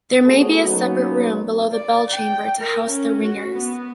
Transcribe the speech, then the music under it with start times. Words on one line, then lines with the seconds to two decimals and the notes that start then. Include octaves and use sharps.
There may be a separate room below the bell chamber to house the ringers.
0.24 A3 B3 F#4 G#4 A4
0.64 F#3 A#3 B3 C#4 D#4
1.72 D5
2.09 G5
2.58 A#4
2.87 C#4
3.22 F#4
3.54 B3